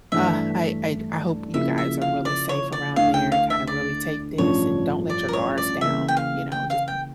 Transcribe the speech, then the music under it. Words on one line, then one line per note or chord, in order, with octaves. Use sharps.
Ah, I I I hope you guys are really safe around there and kinda really take this, and don't let your guards down, you know? Just
G2 E3 A3 E5
C#3 F3 A#3 E4 E5
E5
F5
D5
C#5
D5
D2 D3 A3 E4 F5
G5
F5
E5
D5
A1 G2 F3 C#5
D5
A#4
C#5
D5
C#3 E3 A#3 E5
G5
F5
G5
F5
G5